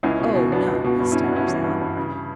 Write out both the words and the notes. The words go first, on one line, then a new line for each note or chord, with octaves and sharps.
"Oh, no," he stammers out.
C#2 C#4 E4
B2
B2
B2 B3 D4
C#2
B2
G2
G2 C#4 E4
D4 F#4
G2 C#4 E4
E3
G2
G2
C#3